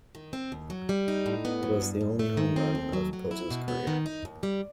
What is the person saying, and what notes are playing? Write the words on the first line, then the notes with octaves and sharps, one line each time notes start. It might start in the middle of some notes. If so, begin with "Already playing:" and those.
It was the only home run of Pozo's career.
D#3
C4
D#2
F#3
G3
D#4
A2
B3
F#3
G2
G2
A3
D#3
C4
D#2
F#3
F#3
E4
B2
B3
D#3
D#4
D#2
G3